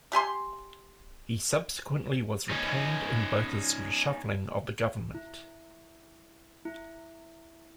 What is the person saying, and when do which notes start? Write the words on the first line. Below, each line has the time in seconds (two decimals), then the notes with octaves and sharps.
He subsequently was retained in Botha's reshuffling of the government.
0.12 A3 G4 G#5 C6
2.50 C#4 D#4
5.14 E4
6.65 E4